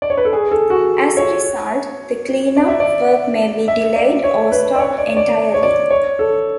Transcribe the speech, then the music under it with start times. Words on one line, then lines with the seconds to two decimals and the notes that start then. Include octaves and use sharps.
As a result, the cleanup work may be delayed or stopped entirely.
0.02 D5
0.10 C#5
0.17 B4
0.25 A4
0.33 G#4
0.51 A4
0.70 F#4
1.17 C#5
2.56 D5
2.68 E5
2.80 D5
3.68 E5
3.96 D5
4.24 C#5
4.52 B4
4.76 D5
4.80 C#5
4.98 D5
5.17 D5
5.54 C#5
5.63 D5
5.91 C#5
6.19 A4